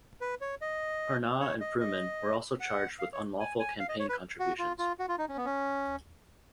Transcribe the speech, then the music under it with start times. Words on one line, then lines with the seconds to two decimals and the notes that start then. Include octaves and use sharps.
Parnas and Fruman were also charged with unlawful campaign contributions.
0.21 B4
0.41 C#5
0.61 D#5
1.40 C#5
1.60 D#5
1.80 D#5
2.60 F#5
2.99 F5
3.13 C#5
3.40 G#5
3.59 G#5
3.80 F5
3.89 D#5
3.99 C#5
4.09 B4
4.39 F#4
4.59 F4
4.79 F4
4.99 F#4
5.09 F4
5.18 D#4
5.29 C#4
5.37 B3
5.45 C#4